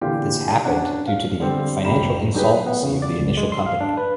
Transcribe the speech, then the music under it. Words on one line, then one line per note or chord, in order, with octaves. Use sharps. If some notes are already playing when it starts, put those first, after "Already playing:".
This happened due to the financial insolvency of the initial company.
A#2 D3 E3 F4 G4
C#4 D4 F#5
F5
D3 G3 C4
F#1 C#2 G3 A#5 B5 E7
F#3 G3 D#4 G#4 B4
B3
C#3
D5
C#2
G#3
C6
F5
D4
B4